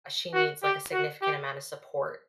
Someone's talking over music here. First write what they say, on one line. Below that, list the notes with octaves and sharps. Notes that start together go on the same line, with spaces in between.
uh, she needs, like, a significant amount of support,
F#4
G4
F#4
G4